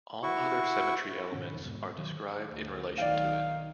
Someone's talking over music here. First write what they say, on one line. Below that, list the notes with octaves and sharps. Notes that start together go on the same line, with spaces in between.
All other symmetry elements are described in relation to it.
E4 F#4 C#6
G#2 B2 D#3 C#4
G1 E2 D#3
G#2 B2
D#3 F#3
D2
B1 D#3 D5 F5 G5